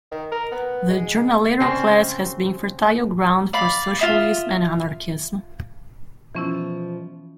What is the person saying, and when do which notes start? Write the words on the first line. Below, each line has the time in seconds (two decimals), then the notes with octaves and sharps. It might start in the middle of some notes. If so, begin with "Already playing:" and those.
The "jornalero" class has been fertile ground for socialism and anarchism.
0.12 D#3
0.32 A#4
0.52 B3
0.89 G#3
1.60 C#3 C4 C6 A#6 C7
3.53 D5 F5 B5
3.99 F4 E5 D#6
6.35 B2 E3 F3 C#4 E4